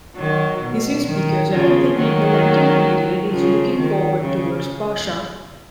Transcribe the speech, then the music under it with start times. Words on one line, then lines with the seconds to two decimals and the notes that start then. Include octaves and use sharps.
This is because everything in the Lenten period is looking forward towards Pascha.
0.16 D#3 F#3
0.61 B2
1.06 D#3
1.52 C#3 F3
1.96 D#3 F#3
3.31 C#3 F3
3.76 D#3
4.21 C#3